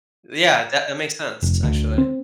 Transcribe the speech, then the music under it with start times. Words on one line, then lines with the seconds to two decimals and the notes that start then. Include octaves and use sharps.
Yeah, that that makes sense, actually.
1.43 F1
1.63 D2
1.98 C4